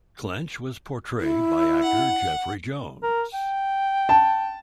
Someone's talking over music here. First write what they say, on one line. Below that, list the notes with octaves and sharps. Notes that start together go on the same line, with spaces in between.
Clench was portrayed by actor Jeffrey Jones.
E4
F#5
A#4
G5
A5